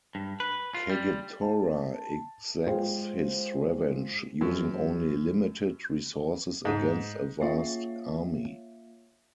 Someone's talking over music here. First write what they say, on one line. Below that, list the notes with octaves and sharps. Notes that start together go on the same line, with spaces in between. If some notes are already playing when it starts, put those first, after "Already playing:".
Kagetora exacts his revenge, using only limited resources against a vast army.
G2
B4
F4
G3
A5
G#3 F4 G#4 C5 F5 G5
F#2
G#2
A#3 F4 C#5 E5 F5